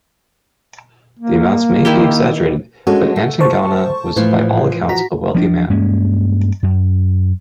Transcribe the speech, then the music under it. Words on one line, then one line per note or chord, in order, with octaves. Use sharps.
The amounts may be exaggerated, but Atangana was by all accounts a wealthy man.
A#3
D#3 E4 G4
G#3 C#4 D4 F#4 A4
A3
C5 A5 C#6
A2 E3 F3 F4
F#4 A#5 B6
F3 C4 D4
G2 G#3 A#3 C#4
F#2